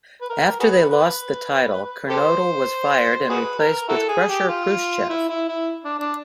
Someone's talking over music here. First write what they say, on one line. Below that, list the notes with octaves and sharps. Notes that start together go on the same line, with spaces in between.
After they lost the title, Kernodle was fired and replaced with Krusher Khruschev.
B4
A#4
F#4 G#4 B4
B4
G4 A4 C5
F#4 G#4 B4
A#4
E4 F#4 A4
G#4
G4
F4
E4
E4
E4
D4
D4